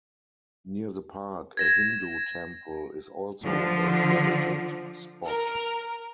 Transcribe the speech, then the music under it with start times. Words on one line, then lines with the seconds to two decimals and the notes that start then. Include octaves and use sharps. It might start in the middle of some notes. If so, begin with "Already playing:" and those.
Near the park a Hindu temple is also a visited spot.
1.57 G#6 A#6 E7
3.43 D3 F3
5.26 A#4